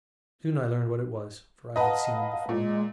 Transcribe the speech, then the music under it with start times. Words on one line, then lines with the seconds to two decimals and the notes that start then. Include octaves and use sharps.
Soon I learned what it was, for I had seen them before.
1.76 B4 D#5 F5 F#5 A5 A#5
2.49 A#2 G#3